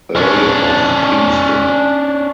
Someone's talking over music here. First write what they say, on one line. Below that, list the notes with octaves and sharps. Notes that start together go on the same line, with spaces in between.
Earl of Kingston.
C#4 D4